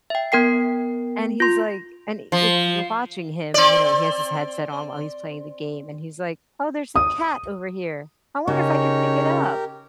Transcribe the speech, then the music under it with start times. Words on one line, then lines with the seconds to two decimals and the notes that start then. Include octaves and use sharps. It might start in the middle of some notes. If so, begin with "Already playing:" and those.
and he's, like, and it's you're watching him, you know, he has his headset on while he's playing the game, and he's like, "Oh, there's a cat over here. I wonder if I could pick it up,"
0.10 E5 G5
0.32 B3 A#4 G5 C7
1.40 F4 C6
2.32 F3
3.54 C4 D5
6.96 D#6
8.48 C#3 D#4 G4 A#4 C#5